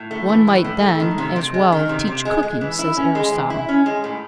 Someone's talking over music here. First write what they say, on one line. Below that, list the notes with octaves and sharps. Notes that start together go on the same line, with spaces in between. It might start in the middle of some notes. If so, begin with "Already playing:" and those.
One might then as well teach cooking, says Aristotle.
Already playing: A2
A3
E3
A2
A2
A3
D#3
C3
C3
G#3
D#3
C3
C3
G#3
G#3
E3
E4
C#4
G#3
E3
E4
C#4
G#3
A2